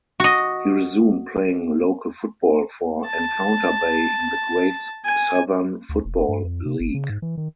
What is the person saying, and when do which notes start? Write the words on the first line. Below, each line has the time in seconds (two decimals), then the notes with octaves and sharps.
He resumed playing local football for Encounter Bay in the Great Southern Football League.
0.20 F#4 D#5
3.06 A5
5.05 G#5
5.89 D2
6.05 E1
6.28 G2
6.44 F2
6.66 C3
6.80 G1
6.94 C#3
7.10 G#2
7.22 E3
7.37 D#3